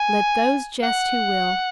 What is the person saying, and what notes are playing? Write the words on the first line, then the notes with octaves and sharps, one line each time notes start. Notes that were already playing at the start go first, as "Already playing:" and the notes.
Let those jest who will.
Already playing: G#5
F#5